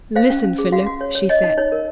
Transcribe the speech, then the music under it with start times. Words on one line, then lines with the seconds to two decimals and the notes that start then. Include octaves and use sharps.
"Listen, Philip," she said.
0.16 C5 F5
0.30 C#4
0.44 C#4
0.58 G#4
0.72 F#4 F5
0.86 F#4
1.01 C#5
1.15 C#5
1.29 C#5 D#5
1.43 D#4
1.57 D#4 C#5
1.72 A#4